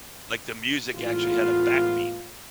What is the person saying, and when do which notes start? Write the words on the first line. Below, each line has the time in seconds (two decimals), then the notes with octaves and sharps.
Like the music actually had a backbeat.
0.95 A2 E3 G#3 B3 F4